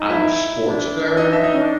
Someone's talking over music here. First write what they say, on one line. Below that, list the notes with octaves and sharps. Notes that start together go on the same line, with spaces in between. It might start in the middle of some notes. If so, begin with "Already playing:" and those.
I'm a sports nerd
Already playing: D#4
E4 E5
D#4
D4
D#4 D#5
E5
D#4 D#5
C#4
D4